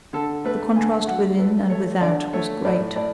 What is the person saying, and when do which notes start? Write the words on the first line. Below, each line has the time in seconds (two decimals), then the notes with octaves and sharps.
The contrast within and without was great.
0.13 D3 A4
0.45 A3 B4
0.76 D3 G#5
1.07 F#3 F#5
1.38 A3 B4
1.70 A3 C#5
2.01 D3 D5
2.33 A3 C#5
2.65 A2 D5
2.96 A2 D5